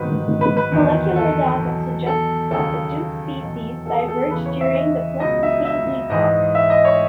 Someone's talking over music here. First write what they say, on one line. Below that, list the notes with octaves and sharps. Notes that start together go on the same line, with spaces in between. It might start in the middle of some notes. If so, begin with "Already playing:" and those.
Molecular data suggests that the two species diverged during the Pleistocene epoch.
Already playing: G#2 D#3 F#3 B4
B4
B4
E2 D#3 F#3
A4
E2 B2 F#3
A4
D#2 C#3 F#3 A4
E2 B2 F#3
A4
G#4
A4
E2 C#3 E3 B4
C#5
E5
D#5
C#2 B2 F#3 D#5
E5
E5
G#2 E3 D#5
E5
D#5
C#5